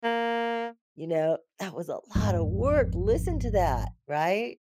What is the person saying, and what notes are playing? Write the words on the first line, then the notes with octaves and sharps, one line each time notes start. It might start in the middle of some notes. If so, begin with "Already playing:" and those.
you know, "That was a lot of work, listen to that," right?
A#3
G#1 F2